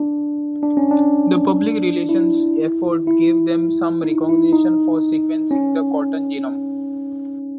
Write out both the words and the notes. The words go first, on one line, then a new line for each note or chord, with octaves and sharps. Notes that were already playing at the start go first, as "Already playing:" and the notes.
This public relations effort gave them some recognition for sequencing the cotton genome.
Already playing: D4
D4
C#4
D4
E4
E4
D#4
E4
D#4
C#4